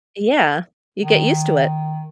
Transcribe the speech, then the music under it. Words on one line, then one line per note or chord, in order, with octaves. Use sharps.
Yeah. You get used to it.
D#3